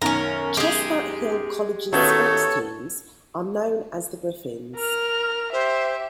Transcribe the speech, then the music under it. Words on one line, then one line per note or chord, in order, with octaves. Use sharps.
Chestnut Hill College's sports teams are known as the Griffins.
B1 F#2 D#3 C#4 A#4
G#3 G4 G#4
A2 D#3 A3 B3 C#4 F#4 A4 C#5
A#4 F6
G4 C5 E5